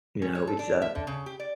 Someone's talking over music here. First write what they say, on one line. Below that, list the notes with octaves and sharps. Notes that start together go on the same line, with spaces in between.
You know? It's a
C#4
C#5
A4
D4
E5
D3
C#3
G4
D5